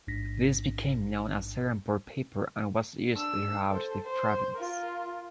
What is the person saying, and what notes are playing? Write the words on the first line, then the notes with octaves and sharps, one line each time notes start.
This became known as Serampore Paper and was used throughout the province.
A1 G#2 D4 A#6 B6
D4 E6
A4 C5
C5
F4 A#4